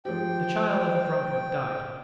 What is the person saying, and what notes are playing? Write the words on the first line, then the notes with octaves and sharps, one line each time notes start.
The child of a drunkard died.
F3 G#3 G4 C5 G5